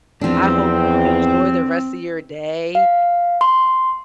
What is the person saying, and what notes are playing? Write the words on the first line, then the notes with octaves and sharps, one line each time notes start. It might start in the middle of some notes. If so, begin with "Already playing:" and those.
I hope you enjoy the rest of your day
E2 F3 C4 D4
F5
C6